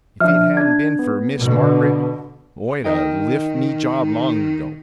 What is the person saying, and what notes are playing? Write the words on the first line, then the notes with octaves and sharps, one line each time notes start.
If it hadn't been fer Miss Margaret Oi'd a lift me job long ago.
F3 D4 E5 F6
D4 G#6
B3
B2 D3
D#3 A#4 D#5 G5